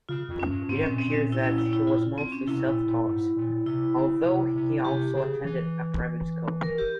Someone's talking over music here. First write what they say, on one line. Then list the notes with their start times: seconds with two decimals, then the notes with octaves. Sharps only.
It appears that he was mostly self-taught, although he also attended a private school.
0.09 C#3 F4
0.29 F2
0.40 C#4
0.49 G2
0.69 G#2 C4
0.83 C#4
0.89 A#2
0.98 C4
1.08 A#2
1.13 C#4
1.32 E4
1.44 C#4
1.58 E4
1.73 E4
1.87 F4
2.18 C4
2.32 C#4
2.47 C3 E4
2.67 A#2
2.87 A#2
3.07 G#2
3.36 A#2
3.66 C3 E4
3.96 C#3
4.25 C3
4.55 C3
4.85 C3 G4
5.15 C#3 G#4
5.45 E3
6.63 A#4
6.78 G4